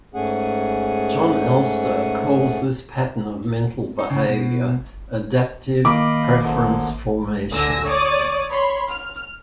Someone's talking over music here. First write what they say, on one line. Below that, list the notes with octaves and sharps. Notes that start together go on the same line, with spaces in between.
Jon Elster calls this pattern of mental behaviour "adaptive preference formation".
G#2 A3 C#4 G#4 F#5
D#4
C#3
B2
D#3 A#3 D#5 F5 B5 D6
F#2 D3 F3
D2 D3 G#5 E6 A#6
C#5 D5 D6 D#6
C#5 B5 C6
F6